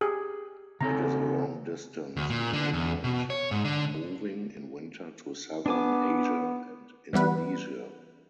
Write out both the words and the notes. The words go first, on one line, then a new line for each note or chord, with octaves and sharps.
It is a long-distance migrant moving in winter to southern Asia and Indonesia.
G4 G#4
C#3 C4 A4 A#5
D2
A#2
D3
E2
B2
C#5
G#2
D3
B3 D4 G#5 D6
E3 G3 B3 B4